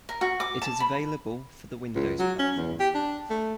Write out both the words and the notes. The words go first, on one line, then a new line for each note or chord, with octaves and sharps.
It is available for the Windows platform.
A#4
F#4
D6
A5
B5
C#2
F#3
C#4
E2
G4
D4
A3